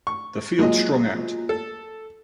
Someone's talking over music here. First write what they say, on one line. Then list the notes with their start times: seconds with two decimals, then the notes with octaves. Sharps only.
The field strung out.
0.07 C#6
0.59 F#3 G#3 A#3 F4 D#5
1.49 A4